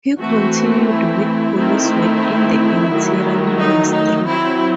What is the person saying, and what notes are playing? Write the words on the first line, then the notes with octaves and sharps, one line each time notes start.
He continued with police work in the Interior Ministry.
E3 A3 C4 F#4
E4
D#3 A3 C4
D#3 F#3 A3
D#4
D#4
F#3 C4 E4